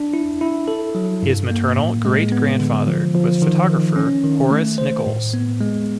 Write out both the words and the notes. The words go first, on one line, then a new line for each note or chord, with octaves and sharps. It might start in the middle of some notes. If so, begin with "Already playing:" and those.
His maternal great-grandfather was photographer Horace Nicholls.
Already playing: D4
E4
E4
A4
F#3
G2
A#3
A2
G#3
B3
D3
F3
F3
D#3
D#3
C#4
D#3
A3
C5
A2
B3
G#3